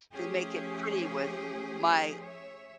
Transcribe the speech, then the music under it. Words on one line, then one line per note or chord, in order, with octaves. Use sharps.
then make it pretty with my
F3 A3 C#4 G4 G#4
C#5 E5